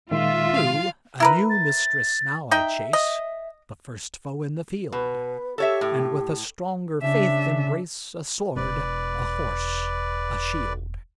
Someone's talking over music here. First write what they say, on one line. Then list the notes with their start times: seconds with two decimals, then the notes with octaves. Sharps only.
True, a new mistress now I chase, The first foe in the field; And with a stronger faith embrace A sword, a horse, a shield.
0.11 A#2 D#3 G#3 F4 E5
0.54 F5
1.20 E4 A#4 B4 A#5
1.50 A6
2.51 D#4 E5 G5
2.93 D#5
4.92 B2 B4
5.58 G4 A4 C#5 E5
5.81 A2
7.01 C#3 D4 E5
8.56 E1 B4 D5